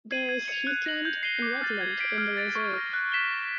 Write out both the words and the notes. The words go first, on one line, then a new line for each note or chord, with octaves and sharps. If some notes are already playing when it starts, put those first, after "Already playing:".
There is heathland and wetland in the reserve.
G#6 C7 D#7 F#7
G#6
C#7 F7
F#6
A#6 D#7 F#7
G6
C7 D#7 G7
D6
F6 A6
G#6
B6 D7
F6
A6 D7
C#6
F6 A#6
F#6
B6 E7 G7
A6